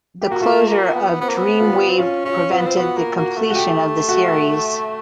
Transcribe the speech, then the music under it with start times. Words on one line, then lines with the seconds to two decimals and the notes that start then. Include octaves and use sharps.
The closure of Dreamwave prevented the completion of the series.
0.21 G4
0.30 A#3 F#4
0.42 A3 F4
0.68 A#3
0.94 B3
1.20 B3 C4
1.29 A#3
1.37 B3
1.60 F4
1.90 C4
1.99 C#4 F4
2.25 C#4 F4
2.52 C4 F4
2.59 B3
2.67 C4
2.77 B3 F#4
2.97 A#3
3.17 A#3 F#4
3.37 A3
3.50 F#4
3.56 G4
4.09 F#4